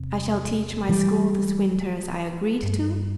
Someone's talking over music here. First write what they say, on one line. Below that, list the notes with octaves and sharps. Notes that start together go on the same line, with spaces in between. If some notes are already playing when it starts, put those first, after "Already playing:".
I shall teach my school this winter as I agreed to.
Already playing: E2 C3
E3 G3
G2